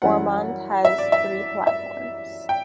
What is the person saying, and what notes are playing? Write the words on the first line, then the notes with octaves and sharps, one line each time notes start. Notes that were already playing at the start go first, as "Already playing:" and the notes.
Ormond has three platforms.
F#2 E3 G3 C#4 E4 F#5
E5
D5
E5
E5
G5